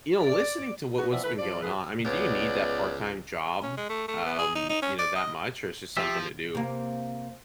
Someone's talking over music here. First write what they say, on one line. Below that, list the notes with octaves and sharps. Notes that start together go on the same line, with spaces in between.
you know, listening to what what's been going on I mean, do you need that part-time job, um, you know, that much, or it's just something to do?
D5
B3 F#4
E3 F3 B3 C4 D5 E5
D#3 A3 E4 B4
F3 D5
G#2 F3 G#4 B4
C#2 B3 C#5 D5
C#4
G#3
A3
A3
B3
G#4
D#4
D#4
C#4
D5
D#5
F3 G4 E5
C3 A#3